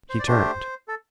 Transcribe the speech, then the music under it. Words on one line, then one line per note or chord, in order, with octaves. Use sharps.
He turned.
C5
D5
A3 D4 G4 C5
A4